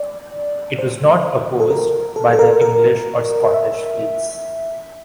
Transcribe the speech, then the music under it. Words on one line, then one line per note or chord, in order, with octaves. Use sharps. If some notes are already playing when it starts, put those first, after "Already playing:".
It was not opposed by the English or Scottish fleets.
Already playing: D5
C5
A4
A#4
A4
A4
A#4
A#4
E5